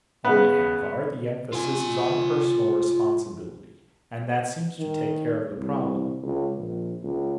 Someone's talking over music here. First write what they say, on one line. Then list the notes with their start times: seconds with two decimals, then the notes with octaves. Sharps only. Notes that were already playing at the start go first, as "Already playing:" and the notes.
On Anvhar the emphasis is on personal responsibility, and that seems to take care of the problem.
0.24 C#3 B3
1.53 F4 G#5
4.79 D#3
5.56 C2
6.23 C#2
6.57 A#1
7.03 C#2